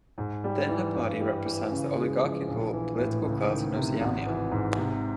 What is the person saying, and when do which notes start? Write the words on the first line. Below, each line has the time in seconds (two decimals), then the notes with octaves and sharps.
The Inner Party represents the oligarchical political class in Oceania.
0.18 G#2
0.44 G3
0.69 E3
0.95 G2
1.20 G3
1.45 E3
1.71 C#3
1.96 G#3
2.22 F3
2.48 A#1
2.73 E3
2.99 A2
3.24 C#2
3.49 D#3
3.75 C3
4.01 G#1
4.27 E3
4.51 G#2
4.77 C3